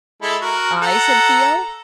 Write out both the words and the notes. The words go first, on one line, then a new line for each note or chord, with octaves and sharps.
"I?" said Theo.
G#3 E4 A4
F#4 A#4
A4 F#5 A#5